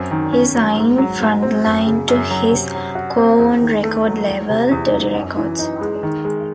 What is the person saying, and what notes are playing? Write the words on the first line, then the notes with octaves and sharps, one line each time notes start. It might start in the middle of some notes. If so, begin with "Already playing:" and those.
He signed Frontline to his co-owned record label, Dirty Records.
Already playing: F#2 C4
D#3
C#4
F#3
G#2
F#3
G#2
C4
F#2
C#3
F#2
F#3
C3
F#3
F#4
C4
E2
D#3
A3
F#3
E2
C3
E2
F#3
F#2
E3
D#4
G#3
D#3
G#3